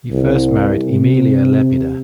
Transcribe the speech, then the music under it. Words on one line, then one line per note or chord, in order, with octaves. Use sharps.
He first married Aemilia Lepida.
C2
C3